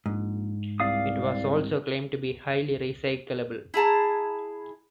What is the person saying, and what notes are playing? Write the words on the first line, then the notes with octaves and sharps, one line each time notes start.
It was also claimed to be highly recyclable.
A#1 G#2
C2 D5 F5 D#6
E4 G#4 A5 A#5